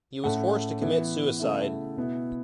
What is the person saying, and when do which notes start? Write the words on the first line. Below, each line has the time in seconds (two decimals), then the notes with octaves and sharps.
He was forced to commit suicide.
0.24 A2 A3 C#4 F#5
0.81 E3 B3 E4
1.39 C#3 A3 E4
1.97 B2 B3 E4